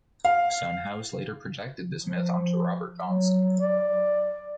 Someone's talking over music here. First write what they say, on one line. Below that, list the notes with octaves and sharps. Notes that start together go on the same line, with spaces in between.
Son House later projected this myth onto Robert Johnson.
F5
F3
F#3
D5